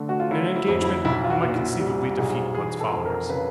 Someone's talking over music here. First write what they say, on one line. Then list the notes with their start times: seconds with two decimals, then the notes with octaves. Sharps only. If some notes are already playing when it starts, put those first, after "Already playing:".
In an engagement, he might conceivably defeat Blood's followers.
Already playing: D3 A3
0.09 F#4
0.20 F4
0.30 F#3 E4
0.56 E4
0.68 F2
0.81 E4
1.05 B1 E4
1.24 F4
1.30 F#4
1.43 A#2
1.55 E4
1.80 G3
2.18 B1 G#4
2.55 E3 G#4
2.80 A4
2.92 F2
3.05 A#4
3.29 C#3 B4